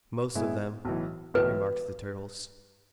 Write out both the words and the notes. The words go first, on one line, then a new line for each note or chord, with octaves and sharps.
"Most of them," remarked the Turtles.
A2 G#3 B3 E4 G#4
B1 A2 E3
B1 A2 E3 B4